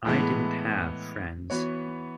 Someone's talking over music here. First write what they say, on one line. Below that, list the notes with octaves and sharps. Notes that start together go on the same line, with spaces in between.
I didn't have friends.
A2 E3 G#3 B3
E3 B3 F#4 C#5